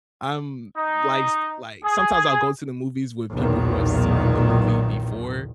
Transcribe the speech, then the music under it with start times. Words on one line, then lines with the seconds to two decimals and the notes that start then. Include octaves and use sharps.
I'm, like, sp like, sometimes I'll go to the movies with people who have seen the movie before,
0.76 D#4
1.84 G#4
3.35 B1 E2 A#2 D#3